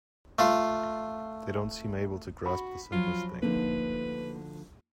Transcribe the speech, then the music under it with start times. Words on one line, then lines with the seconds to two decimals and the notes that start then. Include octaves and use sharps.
They don't seem able to grasp the simplest thing.
0.39 A3 F4
2.46 F#4 B5
2.92 F3 F#3 C#4 F4
3.43 D2 D3 F3 A#3 D#4 B4